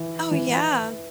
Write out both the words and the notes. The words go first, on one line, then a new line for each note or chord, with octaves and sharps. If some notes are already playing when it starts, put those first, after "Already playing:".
Oh, yeah.
Already playing: E3
E3